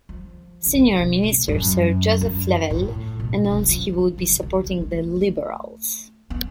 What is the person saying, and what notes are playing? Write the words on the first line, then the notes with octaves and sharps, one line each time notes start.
Senior minister Sir Joseph Flavelle announced he would be supporting the Liberals.
F3
C#3
D3
B2
A2
F#2
F#2
A2
B2
C#3
D3
C#3
F3
F3
D3
C#3
D3
F#3
G#3
G#3
A3
A3
B3